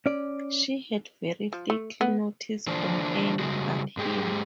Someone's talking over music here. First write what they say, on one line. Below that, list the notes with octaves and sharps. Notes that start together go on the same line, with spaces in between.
She had very little notice from any but him.
C#4 D5
F3
A3
B3
D3 E3 F3 D4 C5
C#3 G3 G#3 F#4
G#2 G#3 G4 G#4